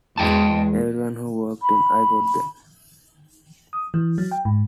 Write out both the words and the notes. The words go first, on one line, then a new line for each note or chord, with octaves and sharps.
Everyone who walked in, I got them.
E2 G#3 D#5 G5 A5
B5
D#6
E3
F#3
G5
G#2